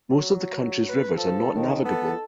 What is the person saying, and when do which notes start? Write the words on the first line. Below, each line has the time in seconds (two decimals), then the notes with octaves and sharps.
Most of the country's rivers are not navigable.
0.12 F#3
0.88 B4
1.17 F3 A4
1.56 D#2 D#3
1.85 B3 A4